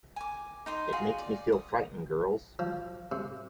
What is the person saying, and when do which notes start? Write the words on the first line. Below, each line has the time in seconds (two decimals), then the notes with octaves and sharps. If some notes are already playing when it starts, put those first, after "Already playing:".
It makes me feel frightened, girls.
0.16 G#5 D6
0.66 D#4 D#5 C6
0.92 F4 F#4 G#4
1.18 D5
1.52 D#6
2.59 F3
3.12 C3